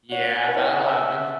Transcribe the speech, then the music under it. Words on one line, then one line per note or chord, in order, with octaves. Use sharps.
Yeah, that'll happen.
C#5 F#5
B4
C#5
D#5
F#5
E5